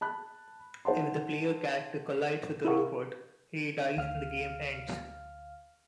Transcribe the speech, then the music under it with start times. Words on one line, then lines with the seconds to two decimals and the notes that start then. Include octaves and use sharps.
If the player character collides with a robot, he dies and the game ends.
0.01 A5 B5 F#6
0.85 D#4 C5 F#5 A5 C6
2.65 E4 G#4 A#4 F5 F#5 C#6
3.97 D2 F5 F6